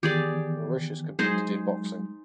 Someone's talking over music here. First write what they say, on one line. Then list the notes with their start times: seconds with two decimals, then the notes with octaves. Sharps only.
Mauritius competed in boxing.
0.03 D#3 E3 B3 G4 G#4 D5
1.19 F#3 G#3 D#4 G#4 C5